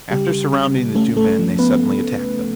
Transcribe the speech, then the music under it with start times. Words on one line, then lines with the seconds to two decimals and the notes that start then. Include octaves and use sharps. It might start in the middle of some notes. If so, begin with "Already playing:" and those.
After surrounding the two men they suddenly attacked them.
0.11 C#3 G3 G4
0.53 C#3
0.95 A3 C#4 A4
1.17 A3 A4
1.39 F3
1.59 B3 B4